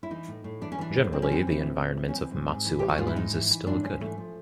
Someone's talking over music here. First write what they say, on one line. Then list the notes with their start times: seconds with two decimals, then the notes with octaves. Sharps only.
Generally, the environment of Matsu Islands is still good.
0.03 E4
0.11 E3 D#4
0.28 A2
0.44 A2
0.61 E3 D4
0.72 C#4
0.78 E3 D4
0.96 A2
1.12 A2 C4
1.22 C#4
1.29 E3 C4
1.47 E3
1.63 A2
1.80 A2
1.97 E3
2.08 C#4
2.14 E3 C4
2.32 G#2
2.48 G#2
2.66 E3
2.79 E3 G4
2.89 F#4
2.98 G#2 F4
3.07 E4
3.16 G#2 D#4
3.33 E3
3.50 E3
3.67 G#2 D4
3.83 G#2 C#4
4.00 E3 A3
4.18 F3